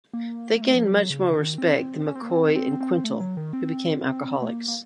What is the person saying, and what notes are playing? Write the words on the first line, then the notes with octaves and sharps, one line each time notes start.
They gained much more respect than McCoy and Quintal, who became alcoholics.
A#3
A#3
A3
F3
F#3
C#3
C#3
D#3
C4
C#4
C4
A#3
C4
C4
C4
A3
F#3
D#3
C4
C4
A3
A#3
A#3